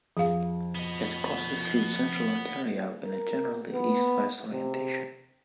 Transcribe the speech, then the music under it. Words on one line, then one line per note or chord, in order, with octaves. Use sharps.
It crosses through central Ontario in a generally east-west orientation.
F2 G#4 F5
B3 D#5
A#4
B3
C3